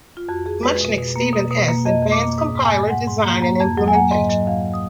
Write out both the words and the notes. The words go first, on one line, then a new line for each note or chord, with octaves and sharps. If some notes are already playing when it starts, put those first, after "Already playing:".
Muchnick, Steven S. "Advanced Compiler Design and Implementation".
F4
F2 F#4
F2 G#4
G#3 B4
B2
B2
A#3
B2
B2
A#3
F2 D#5
F2
D6
A#3
G#2 D#6
G#2
G#5
A#3
G#2 F#5
G#2
A#3
A#3
F2
F#3
G#5
A#3 F#5
G#2 D#5
F#3 D#5
F2 F5
D#6